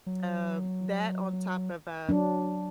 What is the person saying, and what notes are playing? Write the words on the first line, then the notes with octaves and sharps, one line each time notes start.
um, that, on top of, uh,
F#3
F#3 D4